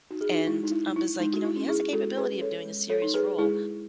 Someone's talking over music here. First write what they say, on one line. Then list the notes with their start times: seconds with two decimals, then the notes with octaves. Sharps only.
and I was, like, "You know, he has the capability of doing a serious role."
0.11 D#4 F#4
0.21 G#4
0.31 D#4 F#4
0.47 G#3 E4
0.64 D#4
0.71 E4
0.84 D#4
0.96 E4
1.20 G#3 D#4
1.33 F#4
1.44 E4
1.56 C#4
1.68 E4 G#4
1.93 G#3 F#4 A4
2.17 G#4 B4
2.29 C#4
2.41 A4 C#5
2.65 G#3
2.90 A4 C#5
3.02 D#4
3.14 G#4 B4
3.38 G#3 E4 G#4